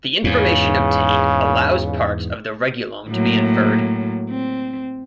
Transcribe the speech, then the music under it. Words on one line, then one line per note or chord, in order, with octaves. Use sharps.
The information obtained allows parts of the regulome to be inferred.
E2 G#2 C#3
A2 F#3 A#3
C4